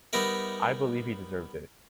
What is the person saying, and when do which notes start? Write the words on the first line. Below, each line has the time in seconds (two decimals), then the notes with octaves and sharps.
I believe he deserved it'.
0.13 G3 B3 D#4 A#4 E5